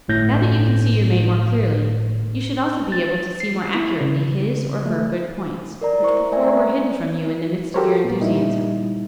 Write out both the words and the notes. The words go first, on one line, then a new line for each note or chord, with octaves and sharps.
Now that you can see your mate more clearly, you should also be able to see more accurately his, or her, good points, which before were hidden from you in the mist of your enthusiasm.
G1 A2 G6 A#6
A6
C7
E4
C#3
A3
A#4 D5 A#5
E4 C5 C#6
A3 D5 E5 G#5 A#5
F#4 G4 A4 A#4 C5 C#5
A#2 B3
A#2 G3 D#4 E4